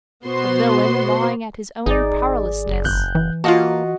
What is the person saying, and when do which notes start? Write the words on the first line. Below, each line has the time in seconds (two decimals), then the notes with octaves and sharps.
A villain gnawing at his own powerlessness!
0.24 B2 B3 F#4 C5 C6
1.86 G#1 D#4 G#4 D5
2.68 F#1
2.85 G#1 F#6 G6
3.15 E3
3.44 A#3 F4 F#4 D#5 F5 F#5 A5